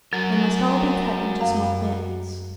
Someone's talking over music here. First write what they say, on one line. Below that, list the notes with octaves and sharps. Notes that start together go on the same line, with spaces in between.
They must all be cut into small bits.
F#3 F#4 A#4
F#2 F5